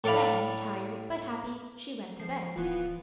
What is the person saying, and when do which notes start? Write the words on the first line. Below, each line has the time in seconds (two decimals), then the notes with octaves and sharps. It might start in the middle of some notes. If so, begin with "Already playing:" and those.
Then, tired, but happy, she went to bed.
0.04 A2 A4 D5 F5 B5
2.20 F3 C7
2.56 D1 E3 B3 F4